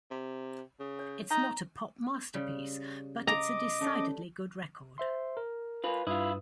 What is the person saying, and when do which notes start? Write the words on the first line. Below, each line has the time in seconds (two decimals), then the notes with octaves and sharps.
It's not a pop masterpiece but it's a decidedly good record.
0.11 C3
0.80 C#3
0.99 C#5
1.31 D#4 A#5
2.34 C#3 G3
3.27 D#5 A#5 D6
3.81 G3 A3 C#4
4.98 C5 E5 C6
5.37 A#4
5.84 F4 B4
6.07 G2 E4 F4 B4 D#6